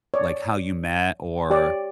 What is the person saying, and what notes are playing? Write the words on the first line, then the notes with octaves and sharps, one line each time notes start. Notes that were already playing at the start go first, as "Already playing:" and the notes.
like how you met or
C#5 D5
G4 C#5 D5